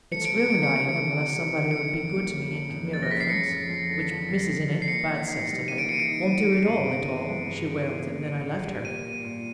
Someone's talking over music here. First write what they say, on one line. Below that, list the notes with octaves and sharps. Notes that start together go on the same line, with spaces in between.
"It's ruined I am unless somebody'll be good to me and give me a riference, which Mrs. Innitt, bad cess to her, won't do, at all, at all," she wailed, and then I left her.
A3 C#7
D7
C3
C#7
C3 D7
C#7
F3 D7
A3 C#7
C3
C3
F3
F3 C#7
F2
A#3
C#3
F3
F2
A#3 A6
A#6
C#3 B6
C7
F3 C#7
F2
F2
D3
F3
F2
F2
D3
C7
A#3 C#7
E3
D#4
G3
A#3 D#7
D7
E3 C#7
D7
D#4
G3
G#3
G2
B3
E3
G#3
G2
B3
E3
A#3
A#2
A#2
G3
A#3 D#7
A#2
A#2